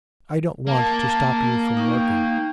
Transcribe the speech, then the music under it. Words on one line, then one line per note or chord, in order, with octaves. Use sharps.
I don't want to stop you from working.
A#3 A5
D#4 G5 C#6